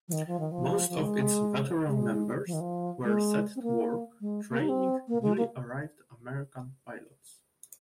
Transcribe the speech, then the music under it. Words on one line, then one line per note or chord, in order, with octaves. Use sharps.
Most of its veteran members were set to work training newly arrived American pilots.
F3
D#3
F3
D#3
F3
F3
G#3
G#3
F3
D#3
F3
G#3
C4
A#3
G#3
A#3
D#4
C4
A#3
G#3
A#3